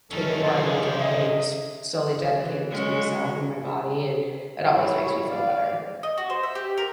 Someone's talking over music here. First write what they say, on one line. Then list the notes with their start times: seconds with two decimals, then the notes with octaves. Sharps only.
take a part of my day and just solely dedicate it to myself and my body, it it always makes me feel better.
0.11 D#3 E3 F#3 C#4 D#4 A4
0.43 C3 G#4 C5 D#5 A5
1.01 D#5 E5
2.40 E3
2.70 F#3 G#3 C#4
4.69 E4 C#5
5.26 D5 F5
6.03 D#5
6.18 F#4
6.30 C5
6.43 E5
6.55 G4
6.77 A#4